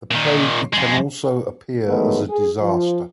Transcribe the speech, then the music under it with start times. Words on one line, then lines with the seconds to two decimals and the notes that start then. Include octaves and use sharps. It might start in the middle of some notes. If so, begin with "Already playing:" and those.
The Plague can also appear as a disaster.
0.11 A#2 D#3
0.73 F2 G#3
1.87 D#3 E3 F#3 G#3 A3 B3
2.29 G#4
2.61 F3 F4